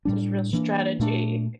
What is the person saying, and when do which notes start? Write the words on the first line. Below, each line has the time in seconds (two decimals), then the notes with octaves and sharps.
There's real strategy,
0.05 A2 G3 D4
0.53 E3 A#3 D4
1.00 A#2 A3 D4